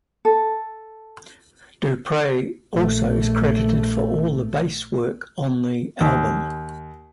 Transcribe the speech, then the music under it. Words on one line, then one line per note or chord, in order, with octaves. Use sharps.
DuPree also is credited for all of the bass work on the album.
A4
A#1 A3
D#2